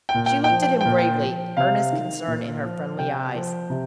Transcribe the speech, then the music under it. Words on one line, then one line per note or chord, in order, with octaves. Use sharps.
She looked at him gravely, earnest concern in her friendly eyes.
G5
A#2
G5
G5
F3
G5
G5
A#2
G5
F3
C3 F5
D#3
A#2
F3
C3 G5
F3
C3